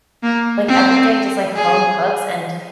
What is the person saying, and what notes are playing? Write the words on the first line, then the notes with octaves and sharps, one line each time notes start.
like, everyday just, like, home cooks, and
A#3
C4
G#4